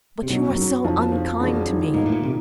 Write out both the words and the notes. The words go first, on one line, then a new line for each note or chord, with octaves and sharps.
"But you are so unkind to me!"
C3
B2 F#3
F#2
F#3
F2 F3
F3
E1
D#3
G#2 A#3
A2
A#2
C3 D#3